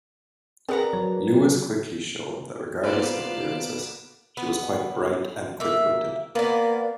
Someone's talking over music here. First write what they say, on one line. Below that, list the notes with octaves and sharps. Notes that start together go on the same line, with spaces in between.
Lewis quickly showed that regardless of appearances, she was quite bright and quick-witted.
C4 D4 G#4 A#4 B4 F#5 A#5
F#3 C#5
A#3 B3 F4 B4 C5 D5 A5
B3
A#3 E5
A#3 B3 D5